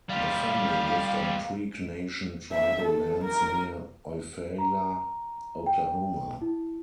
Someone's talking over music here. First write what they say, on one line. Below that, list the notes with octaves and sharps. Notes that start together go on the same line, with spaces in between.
The family lived on Creek Nation tribal lands near Eufaula, Oklahoma.
G3 F4 F5
E5
A4
A#4
A#5
G5
E4